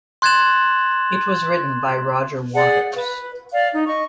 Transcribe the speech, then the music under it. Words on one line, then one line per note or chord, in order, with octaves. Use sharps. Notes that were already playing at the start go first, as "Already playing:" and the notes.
It was written by Roger Waters.
C6 F#6 G#6 A6 E7 F#7
G#4 D5 F#5
B4
D5 F5
D#4
D#5 C#6